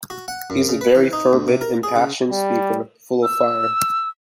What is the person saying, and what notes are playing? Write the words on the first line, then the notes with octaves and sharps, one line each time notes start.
He is a very fervid, impassioned speaker — full of fire!
F#4
F#5
F#2
C#3
B4
E3
D#4
D2
C3
A#4
G#4
C#3
G3
E6